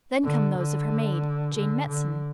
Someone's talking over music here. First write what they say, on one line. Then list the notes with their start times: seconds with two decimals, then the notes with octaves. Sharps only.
Then come those of her maid, Jane Metson.
0.24 D3
0.57 D3
1.56 D3
1.89 D3